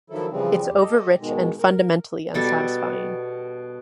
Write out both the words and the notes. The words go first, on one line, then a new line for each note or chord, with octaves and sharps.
It's overrich and fundamentally unsatisfying...
D#3 F3 F#3 E4 A4
C#3 E3 F3 G3 C4
E2 G4
G4 A4 D#5
G#2 B2 D#3 G#3
A#4
B2 G3 A4